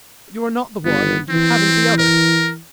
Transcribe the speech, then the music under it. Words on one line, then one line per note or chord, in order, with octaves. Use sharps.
But you are not the one and you haven’t the other.
G1 B3
E3 C4
A#4